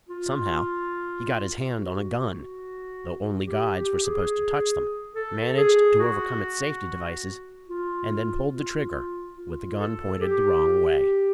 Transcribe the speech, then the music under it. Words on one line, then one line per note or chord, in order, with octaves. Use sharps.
Somehow, he got his hand on a gun, though only guides were supposed to touch them, managed to overcome its safety devices, and then pulled the trigger with the gun pointed the wrong way.
F4
F#4
G4
G4
G#4
A4
G#4
F#4
F4
F4
F4
A4
G4